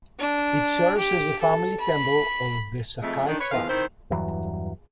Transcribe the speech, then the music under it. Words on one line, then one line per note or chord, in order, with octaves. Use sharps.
It served as the family temple of the Sakai clan.
D4
G4
A4
B5
F2 G#3 A3
D#3 D4
B4 C#5
E2 D#3 F3 B3 F5
D#3 C4 E4 C5
E2 G2 E3 F#3